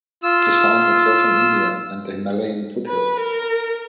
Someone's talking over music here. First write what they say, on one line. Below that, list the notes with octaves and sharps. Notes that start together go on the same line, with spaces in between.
It is found in southern India and the Himalayan foothills.
F4 E6
B4
A#4